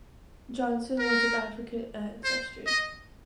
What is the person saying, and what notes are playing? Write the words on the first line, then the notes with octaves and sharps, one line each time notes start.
Johnson was of African ancestry.
A#4
C5
D#5